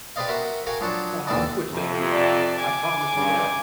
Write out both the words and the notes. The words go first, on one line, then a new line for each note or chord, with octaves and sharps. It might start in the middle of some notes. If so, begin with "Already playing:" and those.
Oh, I'll switch things around, I promise you that.
G4 B4 C5 D5 D#5 F5
F#4 A#4 C5 E5 F#5 B5
F#4 A#4 F5 G5 G#5
F3 F#3 D4 C5 C#5
D#2 E3 A3 D4 D5 D#5
F2 C3
D5 A5
G#5 D6
G2 C#3